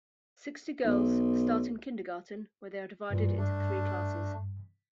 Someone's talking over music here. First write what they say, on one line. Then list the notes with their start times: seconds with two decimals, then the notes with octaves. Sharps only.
Sixty girls start in kindergarten, where they are divided into three classes.
0.85 B1
3.10 G2 A#2 E3
3.37 A3 D4